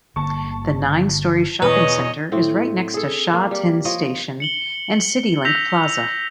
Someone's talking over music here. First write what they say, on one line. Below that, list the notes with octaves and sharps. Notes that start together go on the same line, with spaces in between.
The nine-storey shopping centre is right next to Sha Tin Station and Citylink Plaza.
G1 D3 A#3 A5 C#6
E2 B2 B4 C#5 D#5
A2 C4
G#4 A4
A#3
G3
F3 C#5 D#5
C#7 F#7 G7
E6 G6 A#6 B6 F7